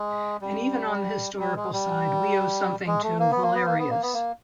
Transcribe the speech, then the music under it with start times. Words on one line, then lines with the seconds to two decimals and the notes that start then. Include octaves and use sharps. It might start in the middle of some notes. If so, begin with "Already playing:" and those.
And even on the historical side we owe something to Valerius.
Already playing: G#3
0.42 G3
1.39 G3
1.56 G#3
1.73 G3
2.87 G#3
3.03 A3
3.19 A#3
3.31 B3
3.43 A#3
3.55 B3
3.66 A#3
3.79 B3
3.90 A#3
4.02 B3
4.14 A#3